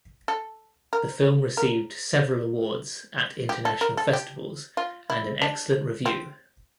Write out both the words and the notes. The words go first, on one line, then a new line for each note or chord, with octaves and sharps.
The film received several awards at international festivals and an excellent review.
A4
A#4
A#4
G4
A4
A#4
A4
G4
F4
E4
D4
C4